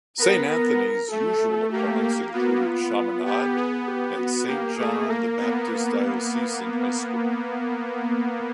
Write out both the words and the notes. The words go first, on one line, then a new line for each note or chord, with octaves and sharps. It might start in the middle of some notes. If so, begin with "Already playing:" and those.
Saint Anthony's usual opponents include Chaminade and Saint John the Baptist Diocesan High School.
B3 A#4
A#4
A3 A4
A#3 G4
A#3
B3 F#4
F4
B3 G4
B3 G#4
G4
F#4
A#3 G4
A3 G#4
A#3 A#4
B3